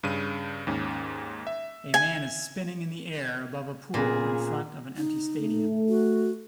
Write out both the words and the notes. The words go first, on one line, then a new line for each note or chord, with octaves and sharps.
A man is spinning in the air above a pool in front of an empty stadium.
G2 C#3 D#7
D#2 G#2 C#4
E5
G#5
A#2 C#3 B3 G#4
D#4
A3
F#4